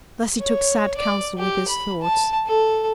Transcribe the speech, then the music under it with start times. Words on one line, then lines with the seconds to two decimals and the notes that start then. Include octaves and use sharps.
Thus he took sad council with his thoughts.
0.40 C#5
0.97 D5
1.38 G4
1.68 B5
2.02 A5
2.47 A4